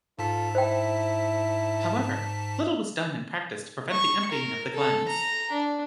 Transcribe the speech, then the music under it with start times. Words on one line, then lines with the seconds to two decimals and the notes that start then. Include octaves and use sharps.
However, little was done in practice to prevent the emptying of the glens.
0.19 G#2 F4 A4 A5 B6
0.55 E4 C5 G5
3.92 C#6
4.31 A#4
4.74 A4
5.08 A#5
5.52 D4